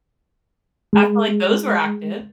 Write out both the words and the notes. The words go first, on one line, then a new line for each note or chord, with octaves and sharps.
I feel like those were active.
G#3